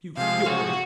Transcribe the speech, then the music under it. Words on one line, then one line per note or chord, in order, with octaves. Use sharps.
You fury!
C3 F3 G#3 F5
C3 F3 G#3 F#4